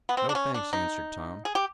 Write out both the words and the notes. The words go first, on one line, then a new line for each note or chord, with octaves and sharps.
"No, thanks," answered Tom.
B3
C4
D4
C#4
D4
D#4
G#4
G4